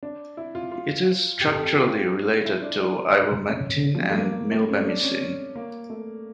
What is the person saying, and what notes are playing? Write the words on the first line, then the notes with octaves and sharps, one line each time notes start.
It is structurally related to ivermectin and milbemycin.
D4
E4
F4
F4
G4
A4
G4
F4
E4
D4
D4
C#4
F3
G3
A3
A#3
A3
C#4
D4
C#4
C#4
A#3
A3